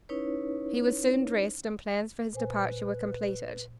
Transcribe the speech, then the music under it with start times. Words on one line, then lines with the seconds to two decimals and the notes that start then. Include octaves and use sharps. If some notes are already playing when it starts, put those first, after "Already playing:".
He was soon dressed and plans for his departure were completed.
0.09 C#4 D#4 E4 B4 C#5
2.33 A#2 B4 C5 G#5